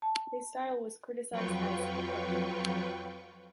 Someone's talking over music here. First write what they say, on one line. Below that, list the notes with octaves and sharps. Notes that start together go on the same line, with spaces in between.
His style was criticized as affected.
A5
F2 F#3 F4 B4 G5 C#6